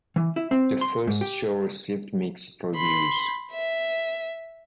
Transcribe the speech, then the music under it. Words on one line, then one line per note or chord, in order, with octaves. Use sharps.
The first show received mixed reviews.
E3
E4
C4
C6
G#2
G4
B5 C6
E5